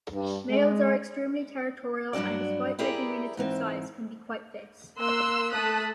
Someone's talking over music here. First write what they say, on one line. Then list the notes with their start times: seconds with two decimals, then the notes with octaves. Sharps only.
Males are extremely territorial and-despite their diminutive size-can be quite fierce.
0.12 G2
0.50 G#3
2.13 G2 F#3 D4 F#4 D5
2.79 E4 G4 G#4 A#4 D5
3.37 G#2 E3 C4
4.98 A#3 C6 E6 F#6
5.51 A3 A5 D#6 F#6 B6